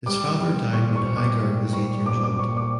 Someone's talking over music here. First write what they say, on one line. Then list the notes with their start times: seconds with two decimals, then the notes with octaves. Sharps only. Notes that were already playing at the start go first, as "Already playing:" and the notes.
His father died when Hagar was eight years old.
0.06 G3 D6
0.41 G3
0.73 A#2 C#6
0.96 C#6
1.06 A#2
1.17 D6
1.40 G3
1.73 G3 C#6
2.06 A#2 D6
2.23 D6
2.39 A#2 C#6
2.57 D6